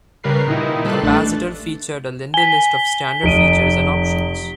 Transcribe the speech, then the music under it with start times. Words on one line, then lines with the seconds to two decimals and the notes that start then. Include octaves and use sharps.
The Ambassador featured a lengthy list of standard features and options.
0.24 C#3 G3 A#4 B4 C7
0.47 A#2 D#3 D#4 E4
0.85 G3 A4 B4 C6 F#6
1.02 A1 A3 D4 F#6 A6
2.34 G#5 B6 G7
3.23 F1 D#4 D#5 D7 D#7